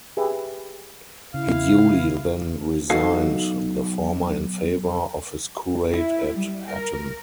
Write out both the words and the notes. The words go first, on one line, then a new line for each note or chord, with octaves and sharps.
He duly then resigned the former in favour of his curate at Hatton.
G4 G#4 B4 E5
C#3 E4 F5
B1 D#4 F#4 A4 D#5 F5
E4
G3
A#4